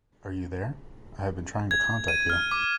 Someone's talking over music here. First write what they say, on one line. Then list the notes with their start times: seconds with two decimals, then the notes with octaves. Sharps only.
Are you there? I have been trying to contact you.
1.71 G#6
2.08 D#7
2.30 F6
2.51 D6